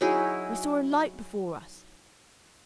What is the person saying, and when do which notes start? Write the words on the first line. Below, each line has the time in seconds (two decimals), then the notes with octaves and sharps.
We saw a light before us.
0.01 F#3 D#4 E4 G#4